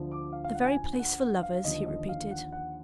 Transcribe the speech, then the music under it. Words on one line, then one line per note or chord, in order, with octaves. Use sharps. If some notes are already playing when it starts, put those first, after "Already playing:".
"The very place for lovers," he repeated.
Already playing: D2 D3 F3
D6
F5
F5
F#5
G#5
G#5
F#5
F#5
F5
D#2 D3 F3 D#5
D#5
F5
F#5
F#5